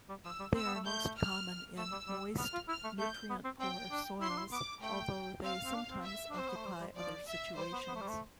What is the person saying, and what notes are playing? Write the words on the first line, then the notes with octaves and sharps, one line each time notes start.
They are most common in moist nutrient-poor soils although they sometimes occupy other situations.
G3
F3 E6
G3
C4 E6
B3
A3
A3 G6
F6
A3 E6
G3
G3
B3 F6
F4
E4 F6
A3
A3 G6
B3
C4
C4 G5
D4
E4 C6
D4
E4
B3 D6
A3 G5
C4 F5
C4
D4
C4
E5
D4
C5
C4
B3
A3
G3
G3
F3 D5
E5
G3 C5
B3
B3
A3
G3
A3